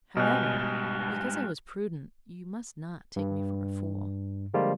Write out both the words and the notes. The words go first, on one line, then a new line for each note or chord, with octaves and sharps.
However, because I was prudent you must not take me for a fool.
G#2 B2 G3 D#5 G#5 F6 F#6
G2
D3 F3 G3 G#3 A#3 F4